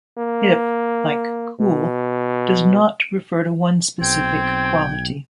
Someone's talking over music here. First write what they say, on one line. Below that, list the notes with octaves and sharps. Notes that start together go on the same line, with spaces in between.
"Hip", like "cool", does not refer to one specific quality.
A#3
B2
B1 C4 G5 G#6